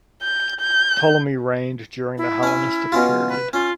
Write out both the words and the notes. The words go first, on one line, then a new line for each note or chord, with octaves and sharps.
Ptolemy reigned during the Hellenistic period.
G6
G6
E4
C#4 G#5
B2 C#4 F4
B4
C#4 F4